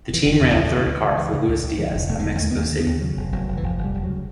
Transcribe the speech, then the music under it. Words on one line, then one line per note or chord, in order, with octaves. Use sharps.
The team ran a third car for Luis Diaz at Mexico City.
F1 E3
F1
E2 D#3
C#2 F3
C#3 F3
E3
C#2
D#3
C#2
D#3
C#3 E3
C#2
C#2
C#2
D3 F3
E1
E1 A3
D3 G#3
D#2 A3
B3
D#2 A#3
D3
B3
D#2
C#3 F#3
F1
F1 F#3
F1
E3
F1 F3
F1
G3
F1
C#3 F#3